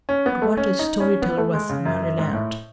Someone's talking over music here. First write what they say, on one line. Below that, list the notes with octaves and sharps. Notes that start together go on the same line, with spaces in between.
But what a story-teller was Mary Lant!
C#4
B3
A3
C#4
D#4
C#4
B3
A3
G#3
C#3
F#2
F#2
G#2
A2